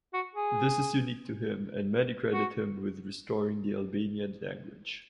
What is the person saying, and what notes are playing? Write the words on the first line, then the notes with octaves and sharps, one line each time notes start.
This is unique to him and many credit him with restoring the Albanian language.
F#4
G#4
F#4